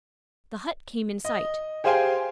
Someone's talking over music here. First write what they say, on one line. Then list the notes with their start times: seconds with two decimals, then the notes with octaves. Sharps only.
The hut came in sight.
1.25 D#5
1.84 G4 G#4 C5 F5 G5 G#5